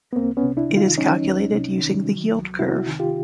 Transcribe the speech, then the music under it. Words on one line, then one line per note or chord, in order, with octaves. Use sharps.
It is calculated using the yield curve.
B3
C2 A#3 C4
B3 C#4
C3
D4 E4
D#3
D#4 F4
F#3 C#4 D#4
C2
C3
D#3
F#3
C2
C3 E4 F#4
D#3
F4 G4